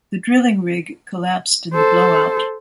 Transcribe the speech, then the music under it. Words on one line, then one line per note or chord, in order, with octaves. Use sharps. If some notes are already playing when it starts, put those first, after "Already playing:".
The drilling rig collapsed in the blowout.
A4 C5